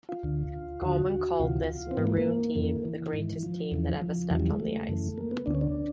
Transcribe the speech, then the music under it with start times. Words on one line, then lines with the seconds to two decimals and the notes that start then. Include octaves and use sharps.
Gorman called this Maroon team the greatest team that ever stepped on the ice.
0.09 F4
0.23 D2 D3
0.82 D#2 D3 F#4
1.39 D2 C3 E3 F4
1.91 C4
1.97 G#2 E3 B3
2.07 A#3
2.17 A#3
2.55 F2 C#3 E3
2.85 E3
3.13 G#2 D#3
3.43 F3
3.72 E2 C#3 E3
4.02 F3
4.30 E2 C#3 E3 F#3
4.40 G3
4.50 G#3
4.60 A3
4.89 F#2 C#3 E3
5.18 A#3
5.31 B3
5.46 D2 D3 D4
5.55 C#4
5.61 D4